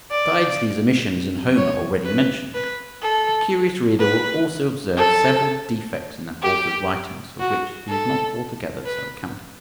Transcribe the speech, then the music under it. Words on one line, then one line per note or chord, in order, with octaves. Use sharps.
But besides these omissions in Homer already mentioned, the curious reader will also observe several defects in that author's writings for which he is not altogether so accountable.
D5
C#5
B4
B4
A4
B4
A4
G4
F#4
A4
B4